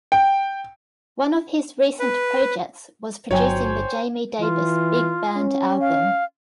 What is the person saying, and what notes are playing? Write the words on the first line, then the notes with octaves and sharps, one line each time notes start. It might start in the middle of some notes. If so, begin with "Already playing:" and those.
One of his recent projects was producing the Jamie Davis big band album.
G5
B4
G1 F#3 C5 C#5 G5 G#5
E3 F4
C#4
F5